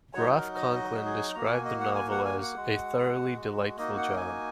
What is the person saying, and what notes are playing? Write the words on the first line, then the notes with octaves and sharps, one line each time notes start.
Groff Conklin described the novel as "a thoroughly delightful job".
F#3 D#4 F#4 C#5
A#4
D#5
D#5
G#4
A#3 F#4 A#5
F#5
G#5
D#5
F#5
G#5
F#5
G#5
F#5
G#3 F#4
A#3 D#4 F#4 D#5
F#5
G#5